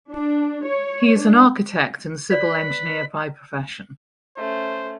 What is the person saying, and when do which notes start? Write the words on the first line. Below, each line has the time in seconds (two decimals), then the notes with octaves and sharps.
He is an architect and civil engineer by profession.
0.12 D4
0.65 C#5
1.19 D4
2.30 B4 C#5 D5 B5
4.37 A3 C#4 C5